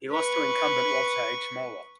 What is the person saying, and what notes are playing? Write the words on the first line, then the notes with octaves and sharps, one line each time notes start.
He lost to incumbent Walter H. Moeller.
B4 C#6